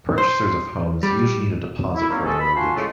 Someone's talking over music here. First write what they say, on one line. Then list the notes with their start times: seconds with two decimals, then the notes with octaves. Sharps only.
Purchasers of homes usually need a deposit for a mortgage.
0.18 C5
1.03 G3
1.96 E4
2.09 D#3 F#3 G3 A#3 C4 C#4
2.24 C3 G#3 F#4 G#4 A4
2.39 B5
2.56 F4 F#4 G#5 A5 C6
2.76 A2 C#3 F3 G#3 A3